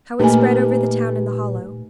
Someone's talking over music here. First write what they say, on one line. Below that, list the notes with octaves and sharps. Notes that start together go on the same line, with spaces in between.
How it spread over the town in the hollow!
A#2 A3 A#3 D#4 G4 A#4 B4 G#5